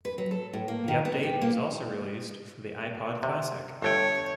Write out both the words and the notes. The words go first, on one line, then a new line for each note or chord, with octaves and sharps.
The update was also released for the iPod Classic.
B4
F#3
A4
A2
A#3
D#3
B3
G4
A#3
C3
G1 A3 C#5 G5